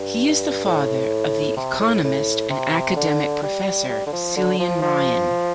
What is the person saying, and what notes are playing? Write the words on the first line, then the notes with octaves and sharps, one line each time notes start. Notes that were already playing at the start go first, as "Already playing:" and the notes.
He is the father of the economist and academic Professor Cillian Ryan.
Already playing: G2
A2
C3
A2
A2
C3
D3
G3
G3
D3
F3
D3
F3
F3